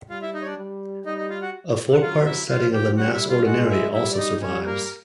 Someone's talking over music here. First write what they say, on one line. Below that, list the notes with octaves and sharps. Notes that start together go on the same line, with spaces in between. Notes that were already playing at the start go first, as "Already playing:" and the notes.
A four-part setting of the Mass Ordinary also survives.
G3 F4 F5
E4 E5
D#4 D#5
C#5
D4 D5
G3
G3 D#4 D#5
D#4 D#5
F4 F5
F#4 F#5
F#5
F#3 F4 F5
E4 E5
F3 F4 F5
G4 G5
G3 F#4 F#5
E4 E5
F4 F5
G#3 F#4 F#5
E4 E5
G3 E4 E5
D5
D#4 D#5
G3 C#4 C#5
A#3 A#4
A#4